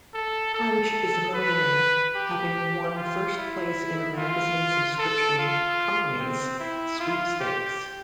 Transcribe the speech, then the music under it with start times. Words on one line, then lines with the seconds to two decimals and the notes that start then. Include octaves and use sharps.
Hunch is a millionaire, having won first place in a magazine subscription company's sweepstakes.
0.14 A4
0.54 A4
1.34 B4
2.16 G4
2.96 F4
3.37 E4
4.17 F4
4.98 A4
5.38 F4
6.19 C4
6.59 E4
6.99 F4
7.40 G4